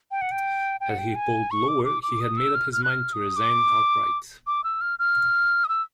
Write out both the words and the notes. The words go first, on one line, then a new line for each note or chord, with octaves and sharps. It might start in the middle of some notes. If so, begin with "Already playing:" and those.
Had he polled lower, he had made up his mind to resign outright.
G5
F#5
G5
G5
F#5
G5
G#5
C#6
D6
D6
D6
D#6
E6
F6
F6
F#6
F6
D#6
D6
D6
E6
F6
F6
D#6
E6